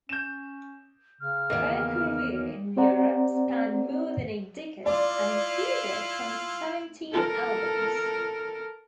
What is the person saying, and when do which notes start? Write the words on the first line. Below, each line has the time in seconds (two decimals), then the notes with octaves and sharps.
Their career in Europe spanned more than a decade and included some seventeen albums.
0.09 C#4 G6 E7
1.21 C#3 F6
1.50 E2 D#3 A#3 D#4
2.76 C4 G4 C5 D5 F#5 A#5
4.86 E4 F4 D5
7.11 A4 A#4